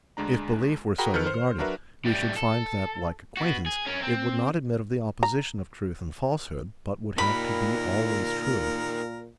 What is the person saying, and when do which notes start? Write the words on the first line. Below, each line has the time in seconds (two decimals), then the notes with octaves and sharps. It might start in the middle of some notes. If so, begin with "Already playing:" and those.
If belief were so regarded, we should find that, like acquaintance, it would not admit of the opposition of truth and falsehood, but would have to be always true.
0.17 D2 G#3 D4 A#5
0.98 F#4 G#4 A#4 G5 A#5 B5
1.14 D#3 A4 B4 F6 C#7
1.27 C5
1.58 F#3 D4 F#4 A#4 B4 E5
2.05 A2 G3
2.36 A4
3.37 B3 F#4
3.66 G#4
3.86 C#4 A#4
4.02 C4
5.23 A#5
7.18 A#2 D#4 G4 A#4 B5